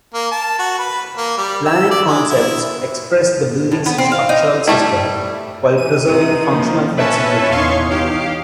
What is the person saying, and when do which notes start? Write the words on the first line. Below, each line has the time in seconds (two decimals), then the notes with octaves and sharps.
Planning concepts express the building's structural system, while preserving functional flexibility.
0.14 A#3
0.31 A5
0.59 F#4
0.79 B4
1.17 A#3
1.37 G3
1.65 E6
1.91 D5
2.06 G#3
2.30 E4
3.72 A2
3.86 B3
3.98 C4
4.12 F5
4.29 D#4
4.68 G3 A3 E4
5.77 E3 D#7
6.05 C3 D#4
6.51 F3 A#3
6.97 A#2 C#4 B4 C#5 E5 A5
7.51 E2 D#4 F5 C6 C#6
7.90 G4 F5